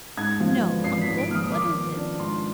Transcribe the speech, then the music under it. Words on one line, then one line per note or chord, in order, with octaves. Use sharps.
"No, uncle, what is it?"
G#2 G#6
F3
B3
G#1 C7
B6
G#2
D7
F3 F6
D#6
D#3 D6
B3
D4
G#2 C6